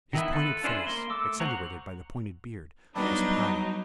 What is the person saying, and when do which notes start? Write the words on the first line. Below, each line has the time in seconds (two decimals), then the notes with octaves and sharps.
His pointed face, accentuated by the pointed beard, was pallid.
0.13 D#3 E3 B3 E4
0.32 F4 A4 B4
0.64 C#4 D4 E4 F4 C5
0.87 A#3 C6
1.10 A3 D6 E6
1.40 C5 F#5 A#5 C#6
2.96 G2 F#3 B3 D4 D#4 B5